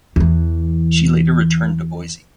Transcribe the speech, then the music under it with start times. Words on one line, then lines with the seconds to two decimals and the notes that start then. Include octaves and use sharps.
She later returned to Boise.
0.16 E2 E3